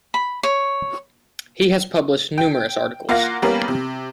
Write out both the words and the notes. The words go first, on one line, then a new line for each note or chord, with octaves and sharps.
He has published numerous articles.
B5
C#5
G5
A#3 F4 F5 F#5 A#6
G3 A#3 B3 C#4 A#4 F5
C3